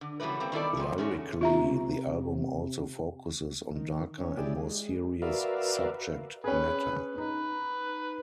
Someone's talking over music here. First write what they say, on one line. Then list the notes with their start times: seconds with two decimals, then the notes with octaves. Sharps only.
Lyrically, the album also focuses on darker and more serious subject matter.
0.01 D3
0.20 C#3 E3 F#3 G3 A3 B4
0.40 G3 A#3 C4
0.52 D#3 A3 B3 E4 A4 D5
0.77 A#2 F3
0.98 F#3 G#3 A3 C#4
1.41 C3 F4 E5 A#5
3.75 D#3
4.18 C#4
4.37 E4 G4 G#4 D5
4.56 G#3
5.22 F#4 A#4 B4 D5 E5 F5
6.44 C#4 G#4 B4
7.18 D#4 B4